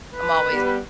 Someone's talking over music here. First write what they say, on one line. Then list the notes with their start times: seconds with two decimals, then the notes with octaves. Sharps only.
I'm always
0.15 B4
0.51 G3 B3